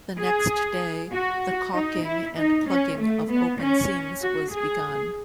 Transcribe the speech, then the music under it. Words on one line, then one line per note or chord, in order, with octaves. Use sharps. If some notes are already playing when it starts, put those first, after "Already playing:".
The next day the caulking and plugging of open seams was begun.
G#4
F#4
D#4
E4
D#4
C#4
A3
B3
C#4
F#4
G#4